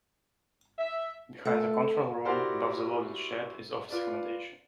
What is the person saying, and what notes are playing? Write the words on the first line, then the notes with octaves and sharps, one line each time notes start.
Behind the control room, above the loading shed, is office accommodation.
E5
A3
E4 F#4 G4 A#4 C5 D5
F4 B4 D5